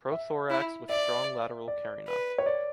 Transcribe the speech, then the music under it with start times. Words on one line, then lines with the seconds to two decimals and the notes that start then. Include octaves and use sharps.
Prothorax with strong lateral carina.
0.12 E5
0.50 E4
0.89 D5 E5
1.68 D5
2.07 B4
2.38 C#5
2.46 D5